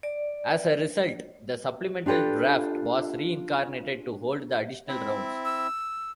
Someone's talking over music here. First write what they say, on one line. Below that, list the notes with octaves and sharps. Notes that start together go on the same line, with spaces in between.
As a result, the Supplemental Draft was re-incarnated to hold the additional rounds.
D5
D4 F4 G4 A4 B4
C4 E4 E5
E6